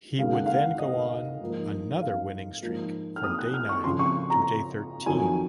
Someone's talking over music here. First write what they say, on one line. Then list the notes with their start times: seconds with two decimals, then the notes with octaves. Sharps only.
He would then go on another winning streak from day nine to day thirteen.
0.18 D#2 C#3 G#3 F5
0.33 F#5
0.46 F5
0.79 D#5
1.41 G#2 F3 A#3
2.01 F5
2.62 G#2 F3 A#3
3.16 F6
3.24 D#6
3.39 F#6
3.54 F6
3.69 C#6
3.84 F2 C#3 F3 C6
3.99 C#6
4.30 A#5
5.06 F2 D#3 F#3 G#5